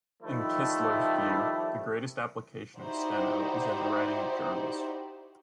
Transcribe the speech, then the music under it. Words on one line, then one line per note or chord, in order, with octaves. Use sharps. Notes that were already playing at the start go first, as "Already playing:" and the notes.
In Kistler's view, the greatest application of Steno is in the writing of journals.
D#3 F3 G3 A3 E4
D#4 E4 F#4 G4 C5 D5